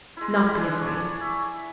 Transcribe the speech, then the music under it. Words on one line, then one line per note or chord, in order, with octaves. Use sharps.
Not be afraid.
G#3 E4
D4 E4 G#4
C#5 D5
E5